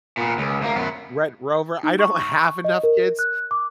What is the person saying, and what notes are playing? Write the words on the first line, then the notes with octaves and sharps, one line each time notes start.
Red Rover, I don't have enough kids
A#2 B3
C#2
D2 A#3
F#2 B3
D#4
C#6
D#5
A#4
F#6
D6